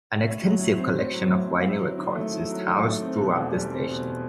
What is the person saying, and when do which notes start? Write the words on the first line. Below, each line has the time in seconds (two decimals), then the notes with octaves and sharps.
An extensive collection of vinyl records is housed throughout the station.
0.25 A2
0.42 F#3
0.59 A2
0.76 C4
0.93 A2
1.11 F#3
1.28 A2
1.45 C4
1.63 E4
1.80 F#3
1.98 D#3
2.15 A3
2.32 E4
2.49 F#3
2.67 D#3
2.84 A3
3.01 C4
3.18 B2
3.36 E2
3.53 G3
3.70 C4
3.88 B2